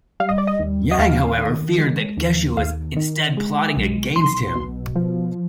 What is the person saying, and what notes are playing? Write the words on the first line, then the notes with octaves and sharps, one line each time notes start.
Yang, however, feared that Geshu was instead plotting against him.
G3 F5
D#5
D5
D#5
D#2
D#5
D#2 F5
D#3
G#3
D#2
D#2 F5
D#3
G#3
B1
B1 C6
B2
F3